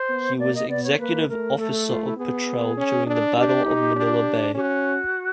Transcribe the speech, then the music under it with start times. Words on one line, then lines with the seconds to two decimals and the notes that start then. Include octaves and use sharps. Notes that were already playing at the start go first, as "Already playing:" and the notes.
He was Executive Officer of "Petrel" during the Battle of Manila Bay.
Already playing: C5
0.10 B3
0.39 A#3 D5
0.54 D#5
0.69 B3 D5
0.83 C#5
0.99 A#3 B4
1.28 A3 A#4
1.58 A3 A4
1.73 A4
1.87 F4
2.03 E4
2.17 B3 G#4
2.77 C#4
3.07 D4
3.36 D4 G4
3.66 D#4
3.96 D4
4.55 C#4 G4
4.60 F#4